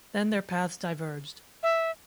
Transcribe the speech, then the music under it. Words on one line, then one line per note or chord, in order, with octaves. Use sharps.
Then their paths diverged.
E5